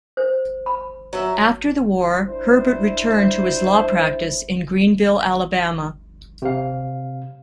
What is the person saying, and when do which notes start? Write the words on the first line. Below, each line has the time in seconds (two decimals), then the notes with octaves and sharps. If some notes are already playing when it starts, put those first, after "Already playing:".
After the war, Herbert returned to his law practice in Greenville, Alabama.
0.17 C5
0.66 B5
1.13 F#3 E5
2.25 D4 E4 C5
6.42 C3 F5